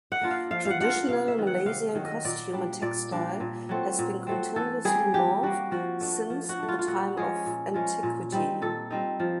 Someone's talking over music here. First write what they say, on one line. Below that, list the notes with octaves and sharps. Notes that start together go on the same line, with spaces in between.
Traditional Malaysian costume and textile has been continuously morphed since the time of antiquity.
F#5
A#3 D4 F4
F5
F3 F5
F5 F#5
A#3 D4 F4 F#5
F5
C3 F5
E5
D#3 F#3
F#5
C3 F5
D#3 F#3
D#5
A#2 D5
G3 A#3 D4
A#2 D5
G3 A#3 D4
A#2
F#3 A3 C4
A#2
F#3 A3 C4
E3 A4
G3 A#3 G#4
E3 G4
G3 A#3 F#4
F3 F#4
A3 D4
F3
F#4
A3 D4
F4
F4
A#2 F#4
F3 G#3 C#4 G#4
A#2
F3 G#3 C#4
A#2
G3 C4 D#4
A#2 A4
G3 C4 D#4
F3